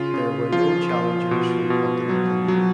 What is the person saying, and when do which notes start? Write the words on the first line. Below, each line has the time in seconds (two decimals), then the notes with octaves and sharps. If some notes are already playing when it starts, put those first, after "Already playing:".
There were no challengers from continental Europe.
Already playing: C#3 F4
0.14 C#3
0.52 F3 F4
0.92 F3
1.31 B2
1.70 B2
2.09 F#3
2.48 F#3